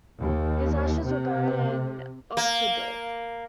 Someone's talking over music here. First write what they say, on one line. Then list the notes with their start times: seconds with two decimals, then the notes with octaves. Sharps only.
His ashes were buried in Oberndorf.
0.21 D#2
1.06 C3
2.37 A#3